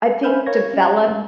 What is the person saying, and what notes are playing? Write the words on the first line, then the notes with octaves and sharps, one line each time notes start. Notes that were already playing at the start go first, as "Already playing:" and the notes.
I think, develop
C5 E5 G#5 B5 F6 G6
A#4 C#5 F5 C#6 G#6 A#6
C#4 G4
G#3 A3